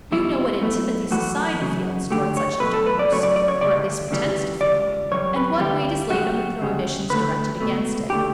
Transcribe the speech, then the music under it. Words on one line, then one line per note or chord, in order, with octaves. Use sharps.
You know what antipathy society feels toward such intercourse, or at least pretends to feel, and what weight is laid on the prohibitions directed against it.
E2 B2 G3 E4
B1 B2 A3
F#2 E3 A3 F#4
E2 C#3 F#3
G2 D3 A3 G4
C#5
B1 B2 A3 B4
A4
B4
D5
F#2 C#3 F#3 A3 C#5
D5
D5
C#5
D2 C#3 G3 D5
D2 C#3 E3 G3
C#2 C#3 G3 D5
F#2 E3 G3 C#5
B4
D2 D3 G3 G4
F#2 C#3 G3 F#4
D2 C#3 G3
D2 D3 A3 B4
C#2 B2 A3
D3 A3 G4